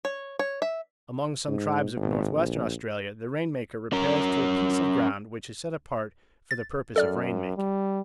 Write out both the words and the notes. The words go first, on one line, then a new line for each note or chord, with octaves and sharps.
Among some tribes of North-western Australia the rain-maker repairs to a piece of ground which is set apart for the purpose of rain-making.
C#5
C#5
E5
G#2
G#1
A#1
C#4 A#4
A6
F#2 A4 D5 F6
G3